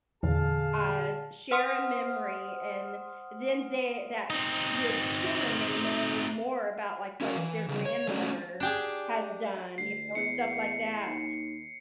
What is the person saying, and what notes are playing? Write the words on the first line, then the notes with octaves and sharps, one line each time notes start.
uh, s share a memory and then the that your children may know more about, like, what their grandmother has done, you know, and stuff like that.
E2 A#2 D3 G#4 F5 A5
C5 F#5 C6 D#6 F6
C4 D#4
C#4 F#4 A#4 F5
E3
C#3 G3
C#5
F#3 G#3 A3 C#4 D4 F#4
D4 G4 G#4
D2 C7
E2 C#7
D#2